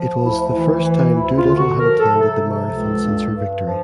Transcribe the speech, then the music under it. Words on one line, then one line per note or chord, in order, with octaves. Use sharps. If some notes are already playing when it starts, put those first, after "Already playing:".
It was the first time Doolittle had attended the marathon since her victory.
Already playing: F3
D2 E4
E3 E4
E3
D2 E4
F4
D3
F#4
F3 A#4
A4
C3
A4
F3 A4
C#2
G2
G2
F3